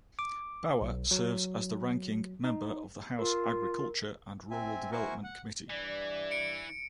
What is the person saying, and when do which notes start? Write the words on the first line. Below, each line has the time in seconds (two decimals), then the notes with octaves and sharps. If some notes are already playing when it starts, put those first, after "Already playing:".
Bauer serves as the ranking member of the House Agriculture and Rural Development Committee.
0.19 D6
0.81 B1
1.11 F#3
2.44 D#4
3.19 F4 A#4
4.51 C4 E5 G#5
4.92 E4 F#4 A#4 C5 G#5 C#6
5.24 F#5
5.70 G2 E3 D5
6.31 C#7 D7